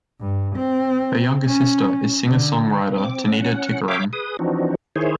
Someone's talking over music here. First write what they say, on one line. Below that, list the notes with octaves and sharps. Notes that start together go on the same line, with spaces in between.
His younger sister is singer-songwriter Tanita Tikaram.
G2
C4
C#4
D3
C4 D6
C#4 F#5
C#5 E5 F5 G5 D6
G#4 B4 D#6
E3 F3 C4 D4 D#4 F#4
D#3 E4 G#4 C5 C#5